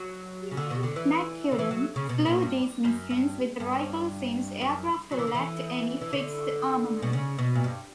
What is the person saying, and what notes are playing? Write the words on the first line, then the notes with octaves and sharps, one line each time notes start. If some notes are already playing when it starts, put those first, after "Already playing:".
McCudden flew these missions with a rifle since aircraft lacked any fixed armament.
Already playing: F#3
C#3
D3
B2
D3
E3
D3
E3
F#3
C#3
B2
A#2
G2
F#2
G2
G2
F#2
F#3
E3
D3
E3
E3
D3
B2
C#3
B2
A#2
G2